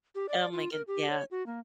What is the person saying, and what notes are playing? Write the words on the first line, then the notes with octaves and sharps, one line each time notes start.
Oh my goodne yeah.
G4
D5
F4
A#4
G4
C#5
F#4
A#3